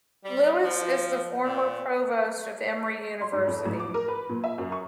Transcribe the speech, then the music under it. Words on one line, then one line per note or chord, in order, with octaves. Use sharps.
Lewis is the former Provost of Emory University.
G3
F3
A#2
C6
G#2
F2
A1
D6
A#4
B4
A#2
E5
F#2
C#6